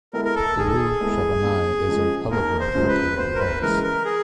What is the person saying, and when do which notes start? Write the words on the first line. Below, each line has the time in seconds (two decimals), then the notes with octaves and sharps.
The rue Chabanais is a public road located in Paris.
0.13 G#3 B3 E4 A4 A#4
0.25 A#4
0.35 A4
0.57 D#3 G#4
0.67 A4
0.76 G#4
1.01 G#3 B3 E4 A4
1.44 D#2
1.88 C#3 F3 G#3
2.31 D#2 A#4
2.60 C5
2.75 C#3 F3 G#3
2.89 B4
3.18 D2 C5
3.35 A#4
3.39 B4
3.62 C#3 E3 G#3 A#4
3.83 A#4
4.05 G#4